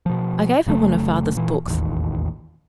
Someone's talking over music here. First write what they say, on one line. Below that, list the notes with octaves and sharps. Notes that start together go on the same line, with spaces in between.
I gave her one of father's books.
B2 F3
F1 C#3 F#3 A3
A#2 E3
E1 A1 D#2